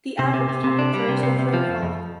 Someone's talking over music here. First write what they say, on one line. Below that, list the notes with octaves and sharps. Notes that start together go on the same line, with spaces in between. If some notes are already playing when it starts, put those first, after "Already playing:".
The average temperature is with rainfall.
C3
C3
C3
C3
D4
G3
C3
C3
C3
F3
F2
F2